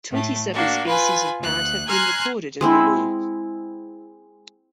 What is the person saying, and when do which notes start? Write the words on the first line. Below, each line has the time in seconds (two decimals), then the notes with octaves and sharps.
Twenty seven species of bat have been recorded in Mulu.
0.10 A2 A3
0.53 A#3 D4 F#4
0.86 F4 B4 G#5
1.39 D2 F#6
1.88 G#5 A#5 C6 F6 F#6 G#6
2.61 G#3 C4 E4